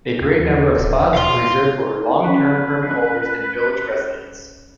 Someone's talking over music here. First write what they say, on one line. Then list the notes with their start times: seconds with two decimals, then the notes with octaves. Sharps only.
A great number of spots are reserved for long-term permit holders and village residents.
0.21 D#2
0.78 D1
1.00 D#2
1.15 B2 F5 C6
2.25 C#4 B4